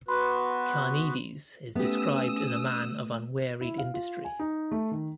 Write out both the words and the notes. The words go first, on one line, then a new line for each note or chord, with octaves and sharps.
Carneades is described as a man of unwearied industry.
B3 F#4 B4 B5 C6
A3 B3 C#4 G4 D#6 E6
E4
F5
F4
G#5
D#4
A3
D#3